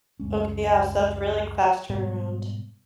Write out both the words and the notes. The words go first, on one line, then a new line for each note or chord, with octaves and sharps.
Ok yeah, so that's a really fast turnaround.
C#2 F#2 G#3 C#4
G#2 B2 G3 B3